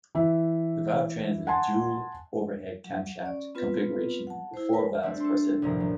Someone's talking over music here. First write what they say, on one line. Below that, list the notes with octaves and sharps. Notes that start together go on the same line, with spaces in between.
The valve train is a dual overhead camshaft configuration with four valves per cylinder.
E3 E5
F#5 G#5 A5 C6
F#3
C#4 D5
B3 C4 F4 B4
F#5 A5
E4 C5
A#4 B4 G5 G#5
G3 A3 C4 D4
A4 C6
A#1 F#2 A2 C3 D#3 A#5
F#3